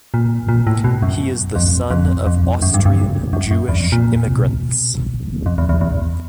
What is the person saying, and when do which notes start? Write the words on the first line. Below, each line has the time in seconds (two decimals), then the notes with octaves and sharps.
He is the son of Austrian Jewish immigrants.
0.14 A#2
0.49 A#2
0.67 A2
0.84 B2
1.02 F#2
1.56 F2
1.91 F2
2.26 F2
2.62 F#2
2.74 G2
2.85 G2
3.33 F#2
3.51 F#2
3.69 E2
3.80 F2
3.92 A#2
4.27 C3
4.40 B2
5.46 F2
5.58 E2
5.69 E2
5.81 E2